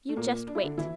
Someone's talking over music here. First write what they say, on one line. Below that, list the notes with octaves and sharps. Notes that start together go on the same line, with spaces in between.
"You just wait!"
A3
A#2 A#3
D4
E4
D3 D4
E3 E4